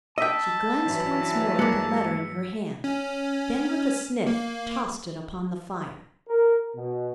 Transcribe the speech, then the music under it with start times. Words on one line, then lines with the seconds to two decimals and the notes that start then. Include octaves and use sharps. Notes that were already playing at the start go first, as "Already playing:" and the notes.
She glanced once more at the letter in her hand, then with a sniff tossed it upon the fire.
0.18 D#5 G5 A5 E6 B6
0.84 G2 E3 F#3
1.59 G#3 A#3 C#7
2.84 C#4
4.27 A#3
6.28 A#4
6.75 B2